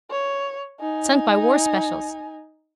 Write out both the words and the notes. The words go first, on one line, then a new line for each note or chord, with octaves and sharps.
Sunk by war specials.
C#5
D#4 G#5